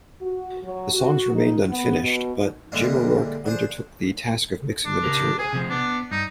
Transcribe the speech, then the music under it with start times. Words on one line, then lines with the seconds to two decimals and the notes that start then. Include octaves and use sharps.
The songs remained unfinished, but Jim O'Rourke undertook the task of mixing the material.
0.21 F#4
0.62 F#3
0.93 F#4
1.33 D#4
1.68 B3
2.02 B2
2.72 A#2 D3 E3 G3 G#3 A#3
3.46 D4 G#4 C5
4.85 D4
5.04 C#3 G4 A#4
5.39 G#4 G#5
5.53 C3 F3
5.70 B3 D4
6.11 G2 D#4